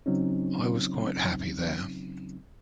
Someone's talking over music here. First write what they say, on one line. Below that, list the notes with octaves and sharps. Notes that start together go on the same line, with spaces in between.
I was quite happy there.
C#3 F#3 C4 C#4 D#4